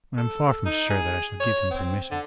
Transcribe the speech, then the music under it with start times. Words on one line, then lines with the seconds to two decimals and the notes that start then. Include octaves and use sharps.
I am far from sure that I shall give him permission.
0.17 A4
0.66 D#4
0.90 G#4
1.40 C#5
1.70 C4
2.11 D3